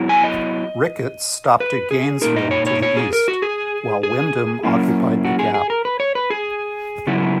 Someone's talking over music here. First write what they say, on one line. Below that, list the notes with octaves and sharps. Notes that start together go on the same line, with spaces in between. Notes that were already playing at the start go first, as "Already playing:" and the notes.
Ricketts stopped at Gainesville, to the east, while Wyndham occupied the gap.
Already playing: F#3 B3 E4
G#5
D#5
B4
G#4
A#2 A#3 D#4 A#4
D#5
C#5
C#5
C#5
G#4
A#4
F#4
G#4
G#4
F#3 A#3 C#4 E4
F#4
G#4
G#4
A#4
B4
C#5
B4
G#4
C#3 F#3 B3 E4